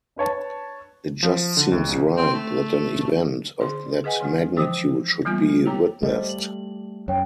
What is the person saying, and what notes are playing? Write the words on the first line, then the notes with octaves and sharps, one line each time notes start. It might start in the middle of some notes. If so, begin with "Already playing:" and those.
It just seems right that an event of that magnitude should be witnessed.
D4 B4 C#5 A5
F3
D3
C#2
A#1
C4
A3
D3 G#4 D5 C6
G#4 B4 D#5 F#5 G#5
D#3 G#3 D4
E3 F3 C5 G5
E3 G3 A#3 B3 F4
G4 C#5 G5 A#5 D6
G3 A3 C5 D#5
F#7
F#2 C#5 G5